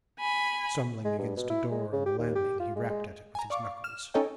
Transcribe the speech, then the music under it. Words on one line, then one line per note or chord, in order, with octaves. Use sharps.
Stumbling against a door on the landing, he rapped at it with his knuckles.
G#5 B5
G#3
G2
B2
E4
G#3
C#3
G4
D#2
G4
F4
G#3
G#3
G#5 A#5
D5 F5 C#6 D6
F6 E7
C#4 D#4 A4 C#5 D#5 G5